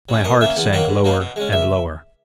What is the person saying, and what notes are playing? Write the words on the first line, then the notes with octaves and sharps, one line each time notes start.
My heart sank lower and lower.
F#3 C#4
A#2 D#5
A#3 C#4 E5
E2 F#5
D#3 F#3 A#3 F#5
G#2
F#3 A#3 D#4
B2
G#3 C#4
C#2 E5